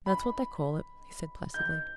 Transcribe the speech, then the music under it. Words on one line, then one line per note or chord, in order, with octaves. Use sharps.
"That's what they call it," he said, placidly.
B5
G6